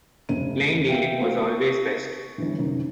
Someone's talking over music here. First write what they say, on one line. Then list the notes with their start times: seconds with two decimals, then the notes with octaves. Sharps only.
Plain dealing was always best.
0.29 F1 C#3 D#7
0.89 E5 F5 G5
1.21 A3 F4 F#4 C5 F5
1.48 C#6
2.38 G1 G2 E3
2.58 F#2 C3 D#3